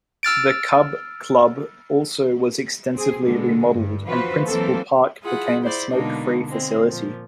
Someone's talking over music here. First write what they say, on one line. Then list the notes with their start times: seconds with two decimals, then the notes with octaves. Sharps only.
The Cub Club also was extensively remodeled and Principal Park became a smoke-free facility.
0.23 E6 F6 A6 D7
2.94 C4 G#4
3.24 B2 D3 G#3
3.73 G2
4.06 E3 F3 F4 F#4 B4 C5
4.46 E3 F#3 A#3 C4 A4
5.23 E4 F4 G#4 F#5 B5
5.61 E4 C5 D5
5.91 B2 D3 G#3 A#3 D4 D#4
6.46 D3 G#3 C4
6.91 A#2 F3